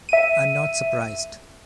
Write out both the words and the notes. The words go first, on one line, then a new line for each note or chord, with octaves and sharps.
I’m not surprised!
E5 D#7